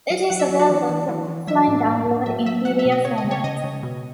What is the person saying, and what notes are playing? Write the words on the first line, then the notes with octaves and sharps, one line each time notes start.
It is available for off-line download in pdf format.
F#3
F#3 F#5
E5
F#3
F#4
E3
E3
E3
E3
F#3 E5
A2
A2
A2
F#3 E5
F#3 E5
F#3 F#5
E5
B2
D#5
C#3 C#5
D#5
C#3
C#5
C#3 D#5
C#3
B2